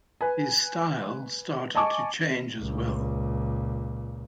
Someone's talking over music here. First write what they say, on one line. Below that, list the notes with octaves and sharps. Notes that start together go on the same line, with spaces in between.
His style started to change as well.
B4 G#5
D#5 G#5 A5 C#6 D6
C#2 A#2